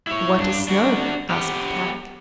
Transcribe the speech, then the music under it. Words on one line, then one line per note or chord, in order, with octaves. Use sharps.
"What is snow?" asked Kadok.
E4 C#5
G2 D4
D4 F#4
B3 G4